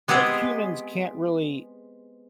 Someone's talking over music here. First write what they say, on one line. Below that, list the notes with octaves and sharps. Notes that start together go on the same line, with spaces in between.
uh, humans can't really
G#3 B3 C4 G4 G#4